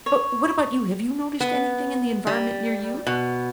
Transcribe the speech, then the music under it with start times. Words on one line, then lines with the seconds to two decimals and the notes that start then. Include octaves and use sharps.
But what about you? Have you noticed anything in the environment near you?
0.06 C#5
1.40 B3
2.27 G3
3.07 B2